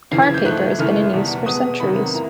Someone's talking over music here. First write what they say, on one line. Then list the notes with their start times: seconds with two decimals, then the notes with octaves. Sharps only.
Tar paper has been in use for centuries.
0.11 F2 C#3 E3 C7
0.22 G#6
0.34 G6
0.44 G#2 F3 A3 F#6
0.79 F#2 C#3 E3 A3 F6
1.13 E2 B2 G3
1.46 B2 G#3 B3 D#6
1.80 E2 C3 D#3 F#3 A#3 B5
2.14 A2 A#3 A#5